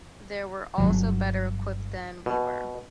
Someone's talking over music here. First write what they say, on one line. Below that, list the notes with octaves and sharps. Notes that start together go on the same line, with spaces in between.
They were also better equipped than we were.
G1 C2 F#3
B2